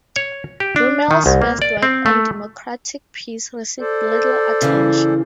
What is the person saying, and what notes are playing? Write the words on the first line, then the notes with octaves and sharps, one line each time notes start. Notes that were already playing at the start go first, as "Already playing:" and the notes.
Rummel's first work on democratic peace received little attention.
C#5
G4
D4
D#3
C2
A#3
D5
C4
A3
A4 C5 D5
C#3 E3